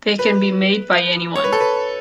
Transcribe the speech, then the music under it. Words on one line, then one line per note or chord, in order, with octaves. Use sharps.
They can be made by anyone.
B4
C#5
B4
A4
B4